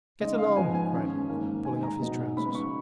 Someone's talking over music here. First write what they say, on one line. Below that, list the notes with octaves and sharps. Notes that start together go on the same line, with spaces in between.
'Get along,' cried Luke, pulling off his trousers.
C#3 G#3 D#4 D#5
F5
G#2 F3 B3 D#4 G#5
G#5
D#3 G#3 C#4
G#2 D#3 A#3
D#3 G#3 D#4 G#5
A#5
B2 F#3 B3 D#4
C#3 G#3 B3 D#4 B5
C#6